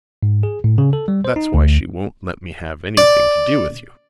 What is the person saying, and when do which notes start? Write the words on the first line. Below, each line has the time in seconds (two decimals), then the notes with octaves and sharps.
That's why she won't let me have anything to do with you.
0.23 G#2
0.43 G#4
0.64 A2
0.78 C#3
0.93 A4
1.08 G3
1.25 C5
1.36 D#4
1.54 D2
2.97 D5